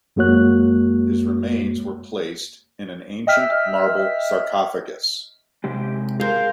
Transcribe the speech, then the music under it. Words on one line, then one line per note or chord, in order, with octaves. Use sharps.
His remains were placed in an ancient marble sarcophagus.
F#2 G#3 A#3 F#4 C#5 F#6
D#5 E5 G5 E6 F6 B6
C3 G#3 G4
G#4 A#4 C5 F5